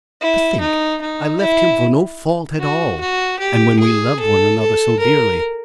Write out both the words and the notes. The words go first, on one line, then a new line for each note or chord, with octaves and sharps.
To think I left him for no fault at all; and when we loved one another so dearly!
E4
D#4
D#4
E4
F#4
F#4
G4
G#4
A4
A4
A#4